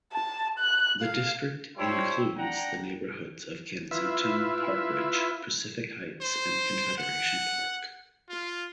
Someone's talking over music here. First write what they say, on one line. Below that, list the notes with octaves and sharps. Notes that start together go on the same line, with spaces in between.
The district includes the neighbourhoods of Kensington, Parkridge, Pacific Heights and Confederation Park.
A5
F#6
F5
G3 E4 F4 A4 C5 C#5
D4 F#5 G5 A#5
E4 F4 B4 E5
C5
F#5
F4